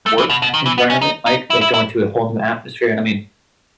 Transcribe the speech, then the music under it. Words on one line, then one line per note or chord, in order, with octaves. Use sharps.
work environment, like like going to a whole new atmosphere? And I mean,
A3
E3
B2
B2
D#3
E3
B3
C#4
D#4
D#4
E4
E4
E4